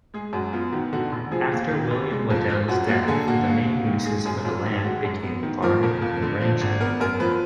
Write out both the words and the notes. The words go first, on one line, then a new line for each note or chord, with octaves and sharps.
After William Waddell's death, the main uses for the land became farming and ranching.
G#3 G#4
F#2 F#4
B3 F4
D#3 F#4
D3 F#4
F1
F3 G#4
D#2
D#3
F1
G#3
F2
F3 F4
F#2 F#4
A#3 F#4
D3 G#4
A#3 F#4
D#2
D#2
D#3
G#3 G#4
F#2 G#4
F#2 F4
D#3
G#3 F#4
F#2
B3
D#3
F3 A#4
F2 A#4
F2
D3
F3
G#1
B3 A#4
F#2 A#4
F3 B4